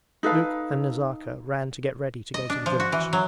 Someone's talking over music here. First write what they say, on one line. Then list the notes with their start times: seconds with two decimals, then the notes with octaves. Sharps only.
Luke and Nazarka ran to get ready to go to the village.
0.23 D#4 A4 B4 F5
2.34 D#5
2.50 D4
2.66 F3
2.80 F#4
2.92 E3
3.13 F#3